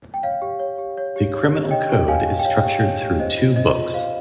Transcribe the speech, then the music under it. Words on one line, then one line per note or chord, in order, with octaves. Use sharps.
The Criminal Code is structured through two books.
G5
C#5 F5
G4
C#5
G4
C#5
G4
C#5
G4
C#5 D#5 G5
G4
C#5 F5 G#5
G4
G5
C#5 F5
G4
C#5
G4
C5 D#5
F4
C5 D#5
F4
C5 F5